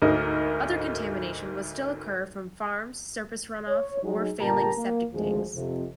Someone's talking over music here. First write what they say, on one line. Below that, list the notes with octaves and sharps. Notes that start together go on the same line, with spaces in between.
Other contamination would still occur from farms, surface runoff, or failing septic tanks.
D2 G#2 A#4 D#5
C#5
F#3 G#3 D#4
G1 A#2 G4 A#4 A5 A#5
A#3
G#1 D2 F3 G#3
F2 C3